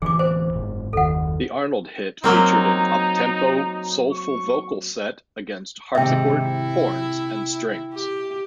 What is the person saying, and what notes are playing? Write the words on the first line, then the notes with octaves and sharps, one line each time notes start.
The Arnold hit featured an up-tempo, soulful vocal set against harpsichord, horns, and strings.
D1 E3 G#4 D6
C5
F#1 G#2
F#1 D#2 D#3 A4 F#5
F#3 A#3 C4 D#4
C#6
G#2 C3 D#3 E5 G5
E4
G4